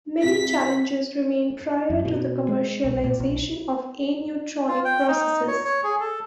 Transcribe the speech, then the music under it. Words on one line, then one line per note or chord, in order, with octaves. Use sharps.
Many challenges remain prior to the commercialization of aneutronic processes.
C2 B6
F#2
B2
G#3
B1
A#2
B1
F4
G5
D#4
C#5
C#5
G#4
A4